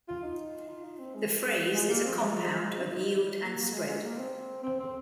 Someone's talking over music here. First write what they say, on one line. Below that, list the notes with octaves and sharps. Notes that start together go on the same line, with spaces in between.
The phrase is a compound of yield and spread.
F4
D#4
F4
D#4
C4
G#3
G#3
G#3
A#3
C4
F3
G#3
F3
G#3
C4
D#4
F4
D#4
A#3
A#3
G#3
G#3
A#3
C4
C4
C4